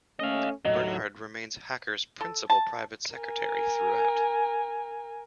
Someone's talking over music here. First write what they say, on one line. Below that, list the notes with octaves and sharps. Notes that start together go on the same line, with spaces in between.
Bernard remains Hacker's principal private secretary throughout.
A3 C#4 D#5 F5
D#2 A2 F#3 D#5
A4
A5
A#4 G#5